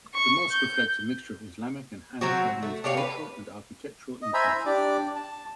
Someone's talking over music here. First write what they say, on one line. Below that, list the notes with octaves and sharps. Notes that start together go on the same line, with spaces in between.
The mosque reflects a mixture of Islamic and Han Chinese cultural and architectural influences.
C#6
G6
F#3 C4 F#4
A3
D4 G4 C#5 F5
B4
D#5
C5 E5 G#5 A#5 B5
E4
D4 G4 D5 D6
A5